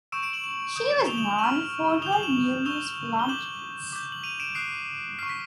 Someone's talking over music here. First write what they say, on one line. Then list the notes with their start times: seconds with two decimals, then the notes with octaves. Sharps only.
She was known for her numerous philanthropies.
0.12 C#6 E6 G6 D7 E7
0.22 D7 E7
0.33 E7 F#7
0.44 E7 F#7
0.76 D#6 G6
1.07 F7 G7
1.17 E7 F#7
1.38 C#6 F6 E7 F#7
2.02 D#6 F7 G7
2.06 G6
2.12 E7 F#7
2.23 E7 F#7
2.65 C#6 E6 G6 F7 G7
3.19 G7
3.29 D6 G6 E7 F#7
3.93 D6 G6
4.12 F#7
4.24 D#7 F7
4.40 D7 E7
4.55 D#6 F#6 C7 D7
5.19 C#6 F6 C7
5.29 B6